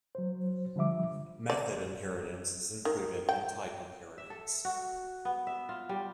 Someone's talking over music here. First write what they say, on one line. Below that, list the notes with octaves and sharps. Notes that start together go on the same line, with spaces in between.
Method inheritance is included in type inheritance.
F#3 C5
D3 F3 G3 E5 D6
D5
D#3
G5
E5
A4
F#4
B3
E5
F4
G3